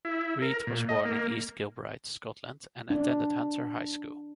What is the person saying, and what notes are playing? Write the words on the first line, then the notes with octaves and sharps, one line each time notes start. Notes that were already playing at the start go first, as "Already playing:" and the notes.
Reid was born in East Kilbride, Scotland and attended Hunter High School.
E4
A#4
A#2
D#5
A#3
D4